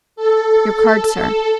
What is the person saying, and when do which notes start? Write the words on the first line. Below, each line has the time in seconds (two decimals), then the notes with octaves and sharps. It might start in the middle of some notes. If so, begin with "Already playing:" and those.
"Your card, sir."
0.16 A4